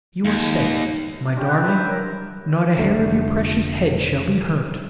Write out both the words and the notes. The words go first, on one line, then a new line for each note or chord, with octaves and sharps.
'You are safe, my darling; not a hair of your precious head shall be hurt.
D#2
C#4 D4 F4 G4
F4 B4 D5 F#6
B4 C5 E5
A#4 C#5 G5
F1 F2 D3 A3